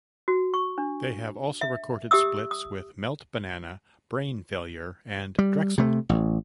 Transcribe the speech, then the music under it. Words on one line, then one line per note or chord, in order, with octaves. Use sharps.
They have also recorded splits with Melt-Banana, Brain Failure, and Drexel.
F#4
C#6
D4
E5
G4 E5 D#6 E6
D#6
G3
C3 A3
A1